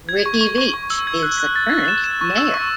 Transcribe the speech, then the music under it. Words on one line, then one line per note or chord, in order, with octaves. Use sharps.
Rickey Veach is the current mayor.
G#6
C#6
C#6
C#6
C#6
E6
G#6
F#6
F#6
A6
F#6
E7
E7
C#6
E6
C#6